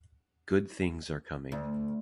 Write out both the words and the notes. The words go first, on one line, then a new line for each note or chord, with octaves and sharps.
Good things are coming.
D2